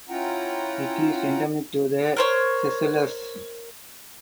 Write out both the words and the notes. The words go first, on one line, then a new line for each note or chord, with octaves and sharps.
It is endemic to the Seychelles.
C#4 E4 F4 F#5 G5 A#5
A#4 C5 C#5